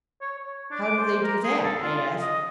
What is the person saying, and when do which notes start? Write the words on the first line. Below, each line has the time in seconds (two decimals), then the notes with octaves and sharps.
"How do they do that?" I asked.
0.21 C#5
0.38 C#5
0.71 D4
0.83 D6
0.97 C5
1.23 A#4
1.43 G#4
1.64 A4
1.82 F4
2.21 D#5